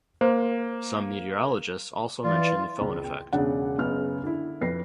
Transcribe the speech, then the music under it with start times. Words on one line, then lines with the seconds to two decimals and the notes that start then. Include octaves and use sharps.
Some meteorologists also mention the foehn effect.
0.21 A#3 C5 C6
2.24 E3 F4 D5
2.81 C#2
3.04 G5
3.33 E1 C#3 D4 F#5
3.78 F#1 C#3 B3 F6
4.24 D3 E4
4.61 F2 B4 A#6 C7